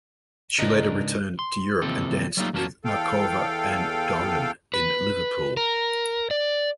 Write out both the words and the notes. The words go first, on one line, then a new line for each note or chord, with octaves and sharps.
She later returned to Europe and danced with Markova and Dolin in Liverpool.
C#2 G#2 D4 D#4 A#4 D#5
C6
D#2 C3 E3 F3 C4 A4
F#3 G3 A3 A#3 D#4 F4
E2 F#3 A#3 C#4 A5
E2 A4 F5 G5
B4
A#4
D5